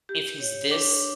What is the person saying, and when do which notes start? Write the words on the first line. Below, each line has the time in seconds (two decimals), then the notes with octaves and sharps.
If he's this
0.09 G4
0.40 C#5
0.71 D4